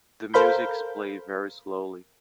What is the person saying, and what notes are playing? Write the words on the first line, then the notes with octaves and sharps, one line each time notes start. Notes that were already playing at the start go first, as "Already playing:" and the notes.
The music is played very slowly.
A4 A#4 C5 F5 B5 G6